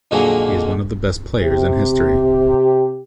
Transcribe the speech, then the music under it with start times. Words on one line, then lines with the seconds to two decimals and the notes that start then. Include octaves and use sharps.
He is one of the best players in history.
0.11 F2 A#2 D3 F#3 G#3 A#3
1.41 C3 G4